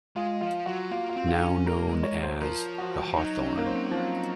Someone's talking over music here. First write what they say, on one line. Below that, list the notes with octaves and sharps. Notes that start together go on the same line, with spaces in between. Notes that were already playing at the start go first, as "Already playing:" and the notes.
Now known as "The Hawthorn".
G#3 F4
F3 F4
F#3 F#4
A#3 F4
F4
C4
F4
D#4
C#4
A#3 A#4
G#3
C#5
C5
F3 A#4
F#4
F3
F#3 D#4
C#4
A#3
C4
F3